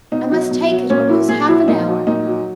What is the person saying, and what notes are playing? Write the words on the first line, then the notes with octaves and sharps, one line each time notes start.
I must take it or lose half an hour.
B2 D#4
F#3
B2
F#3
A#2 C#4
F#3 E4
A#2 G#4
F#3 E4
A#2 D#4
F#3
A#2 D#4
F#3